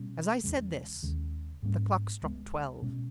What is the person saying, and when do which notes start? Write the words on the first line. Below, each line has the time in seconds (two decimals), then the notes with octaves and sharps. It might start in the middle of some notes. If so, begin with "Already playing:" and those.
As I said this, the clock struck twelve.
Already playing: B2 G3 C#4
0.44 E2 C#3 G#3
1.03 D#2 C#3 G#3
1.63 G#2 G3 A#3 C#4
2.22 C#2 C#3 G#3 B3
2.82 B2 G#3 C#4